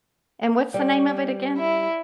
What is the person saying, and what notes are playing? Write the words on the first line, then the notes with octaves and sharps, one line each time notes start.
And what's the name of it again?
G3
E4